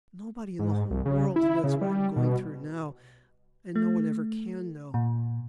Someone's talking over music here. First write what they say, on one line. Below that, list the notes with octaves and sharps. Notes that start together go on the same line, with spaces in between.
Nobody in the whole world knows what I am going through now, and no one ever can know....
G#2
C2
C#3
E4
C#3
G3
B2
A3
A#2